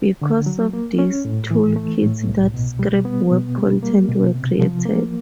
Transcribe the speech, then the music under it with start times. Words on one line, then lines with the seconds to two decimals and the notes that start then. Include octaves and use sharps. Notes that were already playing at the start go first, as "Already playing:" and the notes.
Because of this, tool kits that scrape web content were created.
0.21 D3
0.46 F#3
0.73 A#3
0.99 C#4
1.25 A2
1.51 E3
1.76 A3
2.02 A2
2.28 C2
2.54 B2
2.79 G3
3.05 B3
3.31 B2
3.58 G3
3.83 A#3
4.09 B2
4.35 C3
4.60 F3
4.86 A#3